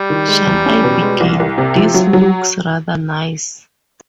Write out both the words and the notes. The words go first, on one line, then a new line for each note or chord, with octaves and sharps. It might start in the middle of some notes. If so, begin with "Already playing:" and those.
Shall I begin? — this looks rather nice.
Already playing: G3
D#3
G#3
E2
C#4
B2
G#3
C2
C2
C3
F3
F#3
F#3